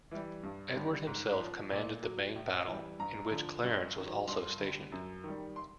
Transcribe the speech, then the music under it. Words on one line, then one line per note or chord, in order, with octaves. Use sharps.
Edward himself commanded the main battle, in which Clarence was also stationed.
E3 G3
G2
D3 G3
G#2
F3
A#2
F#3
A2
E3 G3
G2 A#5
D3 F3
G2
D#3 F#3
G2 C6
D3 G3
F#2
D#3 G3
C6